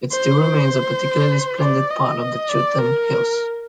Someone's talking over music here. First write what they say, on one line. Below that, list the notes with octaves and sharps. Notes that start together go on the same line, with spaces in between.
It still remains a particularly splendid part of the Chiltern Hills.
C5
C5
D5
D#5
D5
A#4